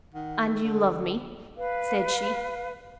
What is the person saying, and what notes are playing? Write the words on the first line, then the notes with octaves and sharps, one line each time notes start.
"And you love me?" said she.
D#3 F#5
A4
D3
B4 F5